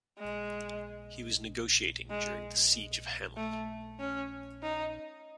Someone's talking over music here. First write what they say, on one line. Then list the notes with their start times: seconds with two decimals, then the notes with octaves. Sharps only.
He was negotiating during the "Siege of Hameln".
0.19 G#3
2.10 G#3
3.37 A3
4.00 C#4
4.63 D#4